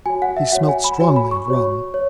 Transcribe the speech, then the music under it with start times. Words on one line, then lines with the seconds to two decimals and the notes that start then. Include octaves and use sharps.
He smelt strongly of rum.
0.06 F#4 C#5 G#5
0.22 F#5
0.37 E5
0.52 F#4 C#5 F#5
0.69 G#5
0.84 B5
1.00 F#4 C#5 G#5
1.16 B5
1.31 C#6
1.48 F#4 C#5
1.94 C#5